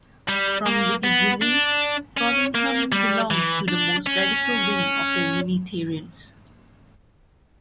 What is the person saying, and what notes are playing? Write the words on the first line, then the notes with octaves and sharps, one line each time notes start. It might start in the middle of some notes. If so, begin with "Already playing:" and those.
From the beginning, Frothingham belonged to the most radical wing of the Unitarians.
G3
A#3
B3
D4
C#4
A#3
G3
E3
D4
C#4